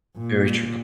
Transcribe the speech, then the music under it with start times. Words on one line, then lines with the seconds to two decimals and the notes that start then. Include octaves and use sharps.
Very true.
0.18 A#2